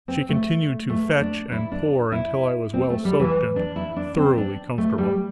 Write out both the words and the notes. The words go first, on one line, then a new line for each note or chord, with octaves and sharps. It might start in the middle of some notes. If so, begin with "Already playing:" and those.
She continued to fetch and pour until I was well soaked and thoroughly comfortable.
C4
A3
A3
D4
E4
D4
E4
C4
A3
G3
E3
D4
E4
D4
C4
D4
A3
G3